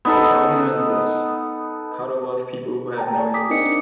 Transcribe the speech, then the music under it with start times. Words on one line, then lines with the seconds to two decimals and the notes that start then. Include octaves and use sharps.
The problem is this: How to love people who have no use.
0.05 B3 D#4 A4
2.98 G5 A5 A#5
3.13 G#4 D5 G#5
3.34 D6 D#6 B6
3.50 C4 D4 D#4 A#4 D#5 C#7